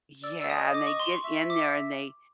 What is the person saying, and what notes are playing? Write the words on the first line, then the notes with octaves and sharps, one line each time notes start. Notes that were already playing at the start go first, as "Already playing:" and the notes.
Yeah and they get in there and they
D5 E6
D5 E6
D#6
D#5
D6
C#6
C6
C#6
E5 C#6
D6